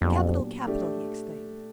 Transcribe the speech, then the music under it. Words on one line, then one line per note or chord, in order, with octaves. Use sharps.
"Capital! capital!" he exclaimed.
F2 A#2 F#3 B3 D4 G4
A3 D4 G4